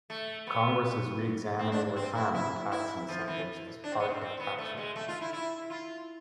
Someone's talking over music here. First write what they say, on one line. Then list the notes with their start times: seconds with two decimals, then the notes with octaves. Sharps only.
Congress is reexamining retirement tax incentives as part of tax reform.
0.10 A3
0.47 B3
1.59 C4
1.72 D4
1.96 C4
2.15 E4
2.34 E4
2.72 E4
3.09 F3
3.28 E3
3.84 D4
3.92 C4
4.00 B3
4.09 C4
4.21 C4
4.40 B3
4.58 A3
4.77 G#3
4.96 A3
5.08 F4
5.21 E4
5.33 E4
5.70 F4